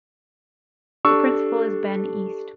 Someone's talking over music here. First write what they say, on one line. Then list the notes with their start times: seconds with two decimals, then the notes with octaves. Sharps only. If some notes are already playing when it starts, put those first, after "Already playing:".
The principal is Ben East.
1.05 D4 G4 A4 C#6 E6